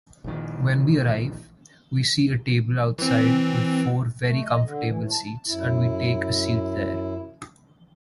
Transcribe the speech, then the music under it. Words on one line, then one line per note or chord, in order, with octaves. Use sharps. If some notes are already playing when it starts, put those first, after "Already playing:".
When we arrive, we see a table outside with four very comfortable seats and we take a seat there.
A#1 D#3
E3 C4
A3
D#5
D3
E3
A2
A5
F#2 E4